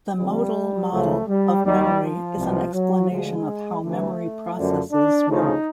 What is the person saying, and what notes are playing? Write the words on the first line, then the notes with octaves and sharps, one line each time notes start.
The modal model of memory is an explanation of how memory processes work.
F2 D3 F3 G3
C#2 C#3 F3 A3
G3
D#2 D#3 G3
F3
C2 B2
F#3
D2 D3 F3 G#3
D2 C3 E3 A3
F#2 D3 F3
D4
D2 C#3 F3 D#4